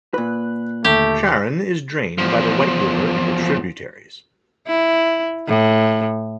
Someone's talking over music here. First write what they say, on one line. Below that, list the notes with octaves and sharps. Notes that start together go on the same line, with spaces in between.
Sharon is drained by the White River and its tributaries.
A#2 B4 F#6
D#2 D3 A3 G4
E2 F3
E4
A2